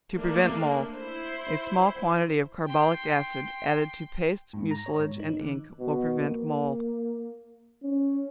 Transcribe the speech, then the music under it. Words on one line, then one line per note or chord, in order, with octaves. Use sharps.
To Prevent Mold.--A small quantity of carbolic acid added to paste, mucilage and ink, will prevent mold.
A3 A#3 D4
E4 C5
G5 C6
G#2
A#5
C#5
G#2
D#4
D#3
B2
A#3
C#4